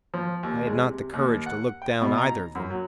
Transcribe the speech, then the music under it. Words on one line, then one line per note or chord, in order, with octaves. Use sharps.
I had not the courage to look down either of them.
F3
D#2
G#3
C3
D#2
F#5
G5
B2
A#5
F#2
F#3